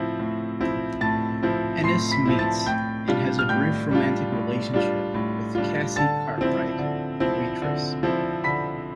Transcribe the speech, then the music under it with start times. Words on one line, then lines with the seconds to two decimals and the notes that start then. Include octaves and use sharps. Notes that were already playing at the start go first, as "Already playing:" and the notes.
Ennis meets and has a brief romantic relationship with Cassie Cartwright, a waitress.
Already playing: A2 F3 C4 E4
0.20 A2
0.60 F3 C4 E4
1.01 A2 A5 A6
1.43 F3 C4 E4
1.84 A2 C6 C7
2.11 B5 B6
2.25 F3 C4 E4
2.39 A5 A6
2.66 A2 G5 G6
3.08 G3 D4 F4
3.39 F6
3.49 A2 G5 G6
3.91 G3 D4 F4
4.32 A2
4.73 G3 D4 F4
5.14 A2
5.55 G3 D4 F4
5.96 D3 A5 A6
6.38 F3 C4 E4
6.79 D3
7.20 F3 C4 E4
7.62 D3
8.03 F3 C4 E4
8.44 D3 B5 B6